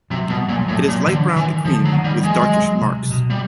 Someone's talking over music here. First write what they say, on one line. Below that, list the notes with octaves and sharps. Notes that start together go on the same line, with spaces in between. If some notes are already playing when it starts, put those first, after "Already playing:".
It is light brown to cream with darkish marks.
C3 F#3
B2 G3
A#2 G3
F#3
F3
A2 F#3
A#2
D3 E3
D#3 E3
D3 F3
F#3
D#3
G3
E3 G#3
F#3
F#3
C3
B2
G3